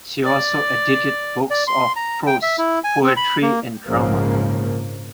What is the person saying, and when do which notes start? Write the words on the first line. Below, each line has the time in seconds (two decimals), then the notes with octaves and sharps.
She also edited books of prose, poetry and drama.
0.24 D5
1.50 D5
1.68 C6
1.96 A#5
2.27 G5
2.42 E5
2.58 E4
2.84 G#5
3.03 C4
3.17 B5
3.42 A#3
3.88 A#1 G#2 C#3 F3 A#3